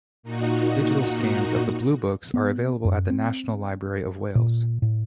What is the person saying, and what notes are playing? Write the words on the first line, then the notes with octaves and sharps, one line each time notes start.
Digital scans of the Blue Books are available at the National Library of Wales.
A#2 D#4 F#4
B3
F#2
C4
A#2
A2